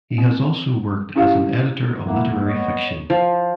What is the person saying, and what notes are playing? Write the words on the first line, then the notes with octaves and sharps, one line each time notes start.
He has also worked as an editor of literary fiction.
C4
C#4 E4 G4 F5
F2 A#3 E4 F#5
B3 C#5 D#5
F3